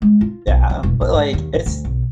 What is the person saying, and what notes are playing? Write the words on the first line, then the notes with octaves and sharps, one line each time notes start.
Yeah, but, like, it's
G#3
F4
B1
F3
E1
A#1
G#2
D#2
A1
D2
B1